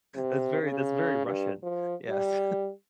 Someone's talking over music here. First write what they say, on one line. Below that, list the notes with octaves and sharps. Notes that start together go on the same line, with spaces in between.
that's very that's very Russian, yes.
C3
C#3
G2
F3
G3